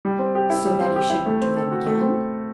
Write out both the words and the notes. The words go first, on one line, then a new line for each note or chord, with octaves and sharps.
"So that he shouldn't do them again?"
G3
C4
G4
E4
G3
C4
G4
E4
A3
C4
A4
F#4
A3
C4